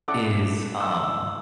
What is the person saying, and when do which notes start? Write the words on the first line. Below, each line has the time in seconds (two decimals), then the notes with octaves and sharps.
is, um,
0.08 C#4 E4 A4 D5 F#5 D6
0.80 E6